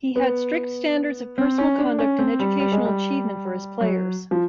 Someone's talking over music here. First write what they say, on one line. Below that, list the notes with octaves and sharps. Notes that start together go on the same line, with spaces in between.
He had strict standards of personal conduct and educational achievement for his players.
B3
C4
C#4
D4
C#4
C4
G3
G3
G#3
G3
F#3
F3